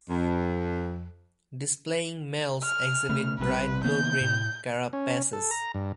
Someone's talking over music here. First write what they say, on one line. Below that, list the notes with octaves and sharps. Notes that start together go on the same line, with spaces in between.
Displaying males exhibit bright blue green carapaces.
F2
F6
C#3 A3
A#1 C3 G3 B4
D#3 A#3 B3 G6
A2
C#4
A4
A#5
G2